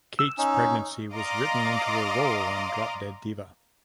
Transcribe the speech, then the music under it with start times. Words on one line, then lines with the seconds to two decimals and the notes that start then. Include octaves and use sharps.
Kate's pregnancy was written into her role on "Drop Dead Diva".
0.19 E6
0.38 C#4 D#4
1.13 D5 D#5 F5 A#5 C6 D6